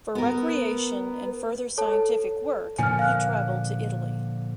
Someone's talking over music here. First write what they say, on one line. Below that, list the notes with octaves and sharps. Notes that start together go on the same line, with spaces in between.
For recreation and further scientific work he travelled to Italy.
B3 A#4
A4 C#5 A5
A#2 D3 F3 G#5 F6
F5 F#6